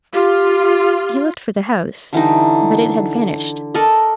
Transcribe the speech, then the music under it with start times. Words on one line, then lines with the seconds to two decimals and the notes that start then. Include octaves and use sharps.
He looked for the house, but it had vanished.
0.14 F4 G4
2.13 D3 E3 G3 D#4
3.74 A4 A#4 D5 D#5